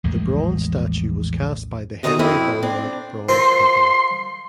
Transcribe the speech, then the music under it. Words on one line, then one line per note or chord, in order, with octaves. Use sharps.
The bronze statue was cast by the Henry Bonnard Bronze Company.
A#1 E2 A2 G#3
B2 D#3 D#4 B4 D#5 A#5
F2 C4 E4
C4 D4
C4 F4 A#4 C6